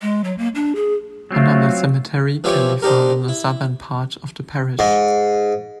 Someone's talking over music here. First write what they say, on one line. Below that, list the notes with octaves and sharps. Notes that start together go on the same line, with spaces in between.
Another cemetery can be found in the southern part of the parish.
G#3
F#3
A#3
D4
G#4
F#3 A3 C4 F4
E3 F3 C4 E4 G4 C#5
C4 D4 D#4 G4 A#4
E4
G#2